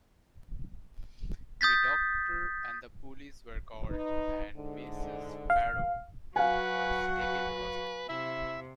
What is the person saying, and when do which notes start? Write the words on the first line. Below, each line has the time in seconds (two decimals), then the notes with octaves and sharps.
A doctor and the police were called and Mrs Farrow was taken to hospital.
1.61 D#6 G6 A6 B6
3.90 D#4 B4
4.57 G#2 D3
5.50 F5
6.36 F#3 F#4 B4 F5 F#5 G#5
7.21 B4
8.09 C3 E4 E5